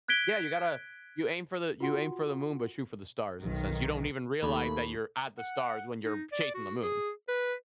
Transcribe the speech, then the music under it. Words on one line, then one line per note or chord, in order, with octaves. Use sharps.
Yeah, you gotta you aim for the you aim for the moon, but shoot for the stars in a sense. You don't even realize that you're at the stars when you're chasing the moon.
F#6 G#6 B6 D7 G7
F4 F#4 F#5 C6
B1 D#3
D#2 A3 A#3 A4 B5
F#5
D#4
D5
F#4
G#4
B4